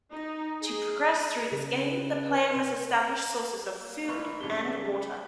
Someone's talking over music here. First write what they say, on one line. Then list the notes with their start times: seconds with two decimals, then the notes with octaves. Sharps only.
To progress through this game the player must establish sources of food and water.
0.15 D#4
0.60 G#4
1.52 C#3
1.89 B4
2.56 C3
3.71 A#3
4.08 A1 D4 B4 B5 C#6 F#6
4.40 F2 G#2 C#3 G4 D5 G7